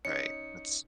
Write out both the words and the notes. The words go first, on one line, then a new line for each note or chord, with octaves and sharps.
Right. That's
C#4 D#4 C#7